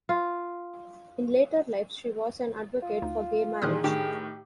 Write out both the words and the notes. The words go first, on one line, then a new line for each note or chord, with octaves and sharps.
In later life, she was an advocate for gay marriage.
F4
F4
D2 D#4
A#2 D#3 E3 G#4 D#6 F6 F#6
A2 D#3 D4 G4